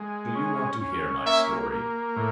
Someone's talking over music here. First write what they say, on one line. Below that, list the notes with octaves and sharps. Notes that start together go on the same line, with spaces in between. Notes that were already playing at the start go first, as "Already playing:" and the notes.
"Do you want to hear my story?"
Already playing: G#3
C#4
C#4
A#3 E5
A#3
A2